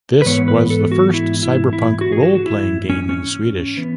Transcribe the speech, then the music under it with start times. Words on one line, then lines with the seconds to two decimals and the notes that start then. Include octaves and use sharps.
This was the first cyberpunk role-playing game in Swedish.
0.22 B4
0.26 G#2 E3 B3 C#5
0.48 B4
0.70 A4
0.92 F#4
1.14 E4
1.43 E4
1.73 E4
2.01 F#4
2.12 G#4
2.23 F#4
2.35 F#4
2.46 E4
2.90 C#4
3.09 C#4
3.77 E3 B3